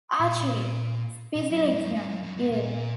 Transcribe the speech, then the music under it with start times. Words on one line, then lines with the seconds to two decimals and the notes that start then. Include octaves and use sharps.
Achery, "Spicilegium", ii.
0.20 A#2
1.36 B2
1.50 F#2
1.65 F#2
1.74 G#2
1.80 F#2
1.94 G#2
2.08 F#2
2.23 F#2
2.37 G#2
2.52 A#2